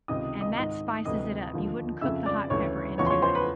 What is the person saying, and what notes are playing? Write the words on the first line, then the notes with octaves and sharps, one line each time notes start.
and that spices it up. You wouldn't cook the hot pepper into it.
C#2 C3 D#3 D#5 D#6
D#5 D#6
G#2 D#3 D#5 D#6
D2 C3 E3 D#5 D#6
D#2 D3 F3
F2 C#3 F3 E5 E6
D5 D6
D2 C#3 E3 C#5 C#6
E2 C#3 F3 C#5 C#6
C6
C#5 C#6
C5 C6
B4 B5